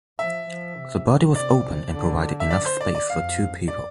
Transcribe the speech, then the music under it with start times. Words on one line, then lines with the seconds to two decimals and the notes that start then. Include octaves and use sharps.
The body was open and provided enough space for two people.
0.19 F3 E5
0.48 F3
0.77 C3
1.35 C3 D5
1.93 D3
2.40 E5
2.51 D5
2.66 C5
2.81 D5
2.95 D5
3.09 F2 F5
3.68 D5